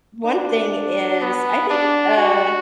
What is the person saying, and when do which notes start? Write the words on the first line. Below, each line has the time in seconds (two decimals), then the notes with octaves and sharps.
one thing is I think, uh,
0.25 D4
1.22 B3
1.70 D4
2.18 F#4